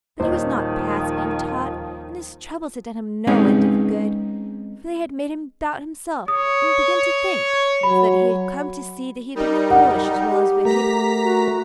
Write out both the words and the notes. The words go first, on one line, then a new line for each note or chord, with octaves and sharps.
But he was not past being taught, and his troubles had done him no end of good, for they had made him doubt himself, and begin to think, so that he had come to see that he had been foolish as well as wicked.
D#1 D#3 F3 C5 D#5
G#3 C4 C#4 D#4 G#4 B4
C#5 D#6
F#3 B5
G3 D#4 A#4
F#5
G4
A3 A#4 A#5 B6
F#4